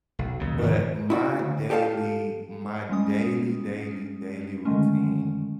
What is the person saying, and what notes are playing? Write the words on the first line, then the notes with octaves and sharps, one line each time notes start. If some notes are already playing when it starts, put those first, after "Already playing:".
But my daily my daily, daily, daily routine
B1
D#2 C#3
G#2 D#3 F3 A3
E4 F#4 D5
D2
G4 A4 C#5 F5 A5
G3 G#3 C#4 D#6
D3 D#3 G#3 A3 C#4